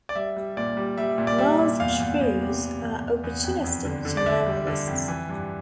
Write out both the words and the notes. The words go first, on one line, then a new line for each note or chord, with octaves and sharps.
Masked shrews are opportunistic generalists.
D5
G3 E5
G3
A#2 D5
G3
G3 E5
A#2
D5
G3 E5
A#2
E2 F5
E2
E2
C3
C3
E2
E2
E2
F2
F2
D3
D3
D5
D3 E5
G3
D3
F2
E3
G2